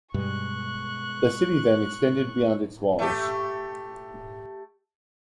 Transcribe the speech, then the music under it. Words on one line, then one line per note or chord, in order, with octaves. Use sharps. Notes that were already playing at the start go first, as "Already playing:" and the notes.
The city then extended beyond its walls.
G2 B2 G#3 C#6 F#6
A3 G4